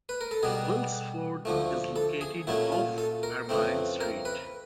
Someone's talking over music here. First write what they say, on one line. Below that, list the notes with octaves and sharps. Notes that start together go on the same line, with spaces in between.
Wilsford is located off Ermine Street.
B4
A#4
A4
B2 G3 B3 G#4
D2 D3 F3 A3
A4
G#4
A#2 F#3 A3 C#4 E4
F4
A4
A#4
F2 C#3 E3 A3 C4
A#4
B4